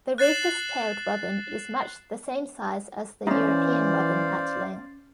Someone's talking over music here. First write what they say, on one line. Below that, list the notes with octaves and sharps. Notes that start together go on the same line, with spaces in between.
The rufous-tailed robin is much the same size as the European robin at length.
F#6 A6 C7 E7 F#7
E3 C#4 D#4 C5 D5 F5